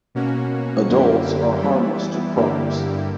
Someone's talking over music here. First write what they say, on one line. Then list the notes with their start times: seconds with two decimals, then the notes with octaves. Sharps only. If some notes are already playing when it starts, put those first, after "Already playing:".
Adults are harmless to crops.
0.15 B2 A#3 C#4 F#4
0.88 F#2 D3 A#3 E4 G4
1.61 E3 G3 B3 E4
2.35 G2 D3 A#3 E4 G4